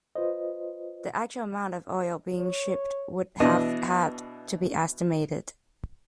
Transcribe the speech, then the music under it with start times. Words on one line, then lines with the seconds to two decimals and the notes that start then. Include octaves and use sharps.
The actual amount of oil being shipped would have had to be estimated.
0.15 F4 B4 C5 D#5
2.39 C#5
3.40 B2 E3 D4 D#5